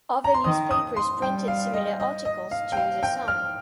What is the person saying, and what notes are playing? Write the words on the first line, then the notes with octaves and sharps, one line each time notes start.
Other newspapers printed similar articles to "The Sun".
A#5
C6
D#3 D#6
D#6
C6
G3 G5
F5
D#5
D#5
D#5
F5
G5
F5
G5
F6